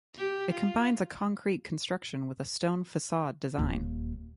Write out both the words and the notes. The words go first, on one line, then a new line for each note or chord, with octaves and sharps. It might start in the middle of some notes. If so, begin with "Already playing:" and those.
It combines a concrete construction with a stone facade design.
G4
F4
D#1 D#2